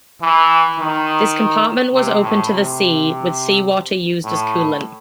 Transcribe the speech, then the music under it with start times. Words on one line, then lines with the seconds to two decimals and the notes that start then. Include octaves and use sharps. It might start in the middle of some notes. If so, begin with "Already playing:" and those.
This compartment was open to the sea, with seawater used as coolant.
0.22 E3
0.79 D#3
1.94 C3
2.22 A2
2.51 C3
4.24 A2